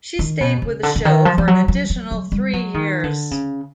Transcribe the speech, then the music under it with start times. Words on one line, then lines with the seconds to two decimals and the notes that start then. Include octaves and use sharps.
She stayed with the show for an additional three years.
0.19 D#3
0.41 B2
0.62 C#3
0.83 D3
0.96 D3
1.05 D#3
1.25 F3
1.38 F3
1.48 F#3
1.68 F#3
1.90 F#3
2.11 F#3
2.32 G3
2.53 F#3
2.74 D#3
3.04 D3
3.31 C#3